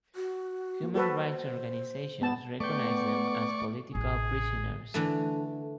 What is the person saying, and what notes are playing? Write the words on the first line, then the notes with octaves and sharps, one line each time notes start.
Human rights organizations recognized them as political prisoners.
F#4
A#3
F#4 A4 B4 C5
B3 A5
A3 B3 D5 G5 C#6
A1 G#4
D3 E3 A3